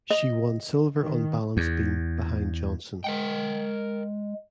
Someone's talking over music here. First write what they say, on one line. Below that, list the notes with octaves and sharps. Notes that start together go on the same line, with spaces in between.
She won silver on balance beam behind Johnson.
D#5
D#3
E2
G#3 A#4 F#5 G5